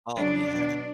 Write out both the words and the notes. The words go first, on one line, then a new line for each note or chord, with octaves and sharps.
Oh, yeah.
C#3 F#3 D4
B2 F#3